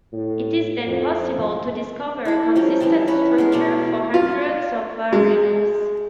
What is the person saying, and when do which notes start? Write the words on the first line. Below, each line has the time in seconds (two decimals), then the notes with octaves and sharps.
It is then possible to discover a consistent structure for hundreds of variables.
0.13 A2
0.86 F2
2.25 E4 A4
2.56 F3 G3 C#4 D#4
2.80 E3 G3 A5 A#5
3.08 C#4 B4 B5
3.38 G#3 B3 A#4
3.52 B2 A3 D5
4.14 F4
5.13 G#3